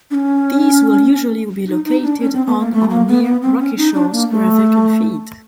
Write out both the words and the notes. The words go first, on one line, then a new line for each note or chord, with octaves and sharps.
These will usually be located on or near rocky shores where they can feed.
D4
C#4
D#4
D#4
D4
C#4
C4
B3
A#3
A3
A#3
B3
B3
C4
C#4
D#4
D4
A#3
A3